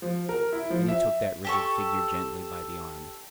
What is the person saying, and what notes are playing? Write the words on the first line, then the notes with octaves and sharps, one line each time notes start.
Then he took that rigid figure gently by the arm.
F3
A#4
E4
F3
E5
G4 A4 C#6